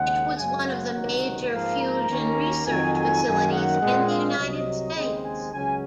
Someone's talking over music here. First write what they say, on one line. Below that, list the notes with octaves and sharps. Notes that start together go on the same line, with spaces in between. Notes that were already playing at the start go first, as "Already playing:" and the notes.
It was one of the major fusion research facilities in the United States.
Already playing: D#2 C#3 G#3 F#5
F#2 C#3 G#3 G#5
F#5
C#2 C3 D#3 F#3
G#2 F3 A#3 F5
A#5
D#2 D#3 A#3 C#4
F2 D#3 F#3 G#5
G#5
F#2 D#3 A#3
F#5
A#2 G#3 C4
F5
C2 C3 F#3 D#5
D#2 C#3 G#3 C4
G#5
C#2 C#3 F#3 C#4 G#5